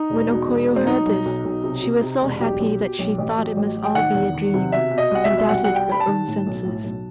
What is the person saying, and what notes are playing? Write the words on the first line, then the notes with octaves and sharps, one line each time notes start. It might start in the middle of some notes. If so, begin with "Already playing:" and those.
When O Koyo heard this, she was so happy that she thought it must all be a dream, and doubted her own senses.
Already playing: D#4
E1
B2
E1
B2
C4
F#3 D#4
B1
B1
B1
C3
C3
C3
E1
B1 G4
B1
B2
B1
A1
F#3
A1
F#3
G5
D#3 F#5
E2
D#3
C3
B2 E5
B2
D#5
C2 F#5
E5
B2
E5
C2 F#5
G3 F#5
G5
G3 B5
A5
D#3
A2
B1
A2
B1